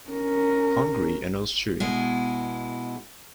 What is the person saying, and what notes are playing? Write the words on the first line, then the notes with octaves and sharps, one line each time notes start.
Hungary and Austria.
C#4 A#4
B2 G#3 E4